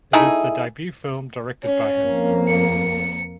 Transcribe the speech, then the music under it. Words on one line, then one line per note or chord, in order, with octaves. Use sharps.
It is the debut film directed by him.
A3 D#4 E4 G#4
C#4
F2 A#3
C#7